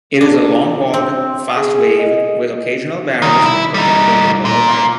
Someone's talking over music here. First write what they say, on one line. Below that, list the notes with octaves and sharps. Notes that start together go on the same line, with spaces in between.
It is a long-walled, fast wave with occasional barrels, particularly on the low tide.
D4
C4
G#4
D#5
C2 D#3
E4
G3 D#4
A#2